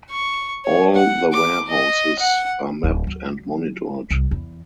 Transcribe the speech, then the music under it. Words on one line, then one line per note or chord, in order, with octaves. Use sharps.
All the warehouses were mapped and monitored.
C#6
C#5
F#5
D6
D#5
F#5
D1
F#3
C2
E2